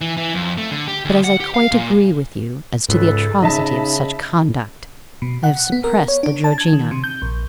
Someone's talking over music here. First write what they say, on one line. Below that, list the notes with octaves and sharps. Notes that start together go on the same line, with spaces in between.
But as I quite agree with you as to the atrocity of such conduct, I have suppressed the Georgina.
E3
E3
F2
A3
D3
G4
D2
F#5
G4
F5
A#2
C#2 G#2 G#4 A4 B4
C#3 D#4 D#5 E5 A5 B5
B2
F#5
B3
A#4
C#5
D4
A5
G#6
D#3
C3
G6
A#1